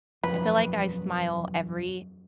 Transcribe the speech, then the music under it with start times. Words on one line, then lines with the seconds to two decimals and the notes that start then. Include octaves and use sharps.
I feel like I smile every
0.23 E1 F#2 F3 B4